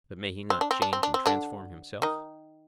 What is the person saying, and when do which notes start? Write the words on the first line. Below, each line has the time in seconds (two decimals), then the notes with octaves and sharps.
But may he not change and transform himself?
0.50 C4
0.61 D4
0.71 C4
0.82 D4
0.93 C4
1.03 D4
1.14 C4
1.26 D3 D4
2.02 D#3 D#4